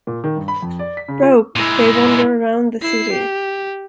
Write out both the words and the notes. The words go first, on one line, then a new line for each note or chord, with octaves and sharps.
Broke, they wander around the city.
A#2
D#3
G2
B5
F2
D5
B6
C#3
F4
A#2 G#3 E4
E4 C7
G4